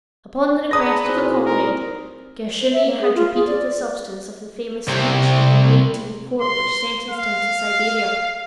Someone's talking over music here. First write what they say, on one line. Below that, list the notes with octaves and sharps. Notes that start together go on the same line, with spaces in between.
Upon the request of a comrade, Gershuni had repeated the substance of the famous speech he had made to the court which sentenced him to Siberia.
G#4 B4 D5 A5 A#5 D#6 A#6
B2 F3 C4 D#4 E4 G#4
A#4
C5
E5
A#3
G#4
F4
G#4
D5
C2 C3
C6
F5